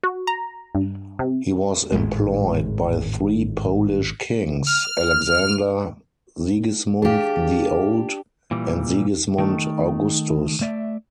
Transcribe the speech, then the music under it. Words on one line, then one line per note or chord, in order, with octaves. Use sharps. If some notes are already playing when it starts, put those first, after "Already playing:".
He was employed by three Polish kings: Alexander, Sigismund the Old and Sigismund Augustus.
F#4
A#5
G2
C3
G#1 F2 A2 G#3
F6
D4 G4 G#4 F5
A#2 E3 G3
D#3 A3
A3 D5 E5